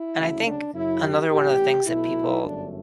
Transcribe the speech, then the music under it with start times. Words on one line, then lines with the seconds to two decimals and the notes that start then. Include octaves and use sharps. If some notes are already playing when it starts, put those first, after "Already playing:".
And I think another one of the things that people
Already playing: E4
0.18 D2 C#3 F#3
0.46 D4
0.74 F#2 C#3 F#3 E4
1.02 G4
1.30 A1 A2 G3 B3 G4
1.86 B1 B2 A3 E4
2.43 G1 F#2 D3 A3 D4